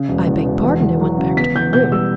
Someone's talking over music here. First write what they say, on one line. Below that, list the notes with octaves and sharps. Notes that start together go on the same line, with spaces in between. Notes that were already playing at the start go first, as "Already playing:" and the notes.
I begged pardon and went back to my room.
Already playing: C#3
E1
E2
E1
E2
E2
F#3
C#3
B3 B6
E2 G6
B2 G6
G3 E6